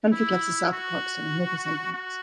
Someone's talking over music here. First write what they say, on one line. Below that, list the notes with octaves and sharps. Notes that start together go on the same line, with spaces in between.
Canford Cliffs is south of Parkstone and north of Sandbanks.
E4
F#4
F#4